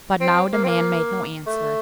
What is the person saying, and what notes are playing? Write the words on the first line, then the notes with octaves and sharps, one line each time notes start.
But now the man made no answer.
C4
A#3
C4
A#3
A3